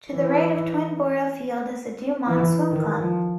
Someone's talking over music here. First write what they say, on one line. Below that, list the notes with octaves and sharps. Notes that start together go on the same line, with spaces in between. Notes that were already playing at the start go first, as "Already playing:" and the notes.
To the right of Twin Boro Field is the Dumont Swim Club.
E3
E3
D#3
F3